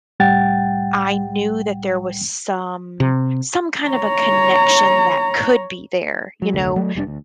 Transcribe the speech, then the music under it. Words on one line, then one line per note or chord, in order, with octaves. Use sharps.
I knew that there was some some kind of a connection that could be there, you know,
C2 A2 G3 F#5 G5 A6
C3
C#5 A#5
F#3
F1 D2 A3
F#3 A3
F1 G3 C4 D4
D2